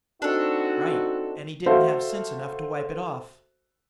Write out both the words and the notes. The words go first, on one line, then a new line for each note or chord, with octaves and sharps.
"Right; and he didn't have sense enough to wipe it off."
C4 D4 D#4 F#4 A4
F#4 A4 C5 E5 F5